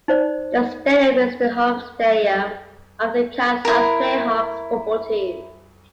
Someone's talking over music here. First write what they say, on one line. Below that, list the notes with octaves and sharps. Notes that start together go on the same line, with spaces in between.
The stadium is the home stadium of the Kansas Jayhawks football team.
D#4 C5 D5
E4 A#4